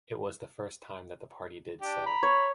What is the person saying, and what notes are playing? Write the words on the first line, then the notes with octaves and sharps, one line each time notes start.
It was the first time that the party did so.
D4 G4
A#5 B5
C#5